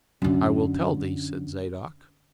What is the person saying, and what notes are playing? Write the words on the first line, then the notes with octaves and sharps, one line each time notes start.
"I will tell thee," said Zadok.
F#2 D3